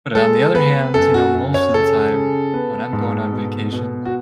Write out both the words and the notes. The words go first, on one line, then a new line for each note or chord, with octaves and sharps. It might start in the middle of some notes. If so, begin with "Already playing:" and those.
But on the other hand, you know, most of the time when I'm going on vacation, like,
G#3 A4
B3 B4
F#2 A4
F#4
F#2
C#5
C#3 A4
C#3
B3
G#2
B2
B2
F#4